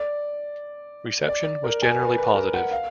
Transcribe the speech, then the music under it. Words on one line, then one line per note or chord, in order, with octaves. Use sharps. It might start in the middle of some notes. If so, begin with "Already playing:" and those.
Reception was generally positive.
Already playing: D5
D5
A#4
G#5
B4
B4
A#4
F#5
F5